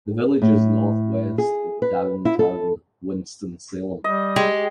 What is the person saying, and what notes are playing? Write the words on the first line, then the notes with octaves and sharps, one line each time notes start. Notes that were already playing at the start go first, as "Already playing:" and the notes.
The village is northwest of downtown Winston-Salem.
A2
G#4
B4
E4
A4
G3 D#5
G#3 G4